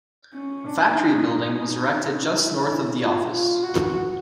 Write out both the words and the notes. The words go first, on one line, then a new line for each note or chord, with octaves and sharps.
A factory building was erected just north of the office.
C#4
D4
D#4
E4
F4
F4
F#4